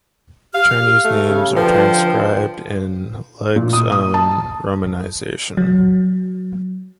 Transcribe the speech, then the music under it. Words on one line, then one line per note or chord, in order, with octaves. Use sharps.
Chinese names are transcribed in Legge's own romanisation.
G4 F5 F6
A3 G4
C#3
D3 F3 B4 G5
A#2
D#6
D#6
A5
F#3